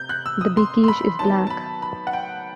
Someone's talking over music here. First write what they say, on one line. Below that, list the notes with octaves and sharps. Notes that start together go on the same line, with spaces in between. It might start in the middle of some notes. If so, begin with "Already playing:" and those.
The "Bekishe" is black.
Already playing: C3 G6
F#6
E6
D#6
C6
C6
B5
D#3 F#3 B3 A5
A5
B5
B5
F#5
G5